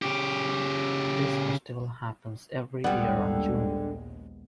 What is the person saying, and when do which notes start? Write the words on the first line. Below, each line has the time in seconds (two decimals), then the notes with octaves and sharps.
This festival happens every year on June.
0.02 C#3 G4
2.84 A#1 D#2 D3 G3 G#3 B3 D5 G5